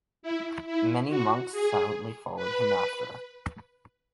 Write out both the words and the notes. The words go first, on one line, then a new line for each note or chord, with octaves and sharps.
Many monks silently followed him after.
E4
E4
F#4
G#4
B4